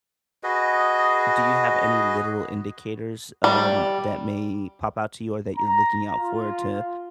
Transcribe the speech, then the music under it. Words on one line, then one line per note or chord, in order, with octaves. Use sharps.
do you have any literal indicators, um, that may pop out to you or that you're looking out for to,
F#4 G#4 B4 D#5
G3
A#5
F4